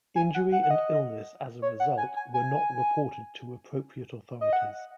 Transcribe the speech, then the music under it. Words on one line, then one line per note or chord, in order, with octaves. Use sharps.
Injury and illness as a result were not reported to appropriate authorities.
G#5
F#5
F#5
F#5
D#5
C#5
F#5
G#5
G#5
G#5
D#5
F#5